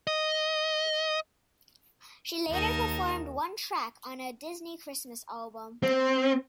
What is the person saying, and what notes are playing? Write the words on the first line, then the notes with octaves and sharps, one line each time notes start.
She later performed one track on a Disney Christmas album.
D#5
D#2 D#4 A#4 A5
C4